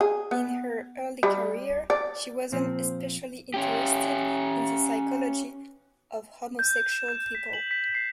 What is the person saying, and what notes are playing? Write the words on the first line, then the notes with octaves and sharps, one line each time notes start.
In her early career, she wasn't especially interested in the psychology of homosexual people.
G#4
B3
G3
D5
A#2 F3 C4
C#4 G4
G6
E7
G6
B6
F#7
B6
C7